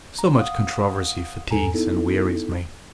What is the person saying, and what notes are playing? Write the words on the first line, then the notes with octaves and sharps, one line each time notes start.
So much controversy fatigues and wearies me.
A#5
F5 F#5 D#6
E2 G#2 A4 G#5 A#5
B3 D#4 E4 A4